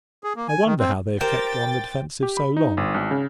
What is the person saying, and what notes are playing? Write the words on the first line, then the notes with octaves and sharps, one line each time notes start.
I wonder how they have kept on the defensive so long.
G#4
A#3
G#5
D#3
C4
G4 A#4 C5 G5 A6
G4
B5
D#4
G1
G#1
C#3